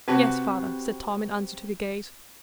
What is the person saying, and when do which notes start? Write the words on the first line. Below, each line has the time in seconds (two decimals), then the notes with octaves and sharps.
"Yes, father," said Tom, in answer to the gaze.
0.08 C3 C4 F#4 B4 A5